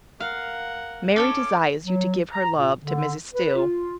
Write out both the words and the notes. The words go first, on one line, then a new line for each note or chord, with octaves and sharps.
Mary desires you to give her love to Mrs. Still.
A#4 F5 F#5
C#4 A4 C#5 D6
F#3
A#5
A#2
D3
B4
F4